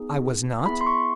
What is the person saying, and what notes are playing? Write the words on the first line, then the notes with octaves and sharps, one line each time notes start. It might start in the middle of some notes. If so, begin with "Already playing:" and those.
I was not.
Already playing: B3 D#4 G#4
B3 E4 G#4 B5
C6
C#6